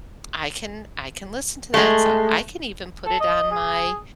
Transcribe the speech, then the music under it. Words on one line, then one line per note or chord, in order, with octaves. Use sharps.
I can I can listen to that song. I can even put it on my
G#3 A3
A4
D#5
G#4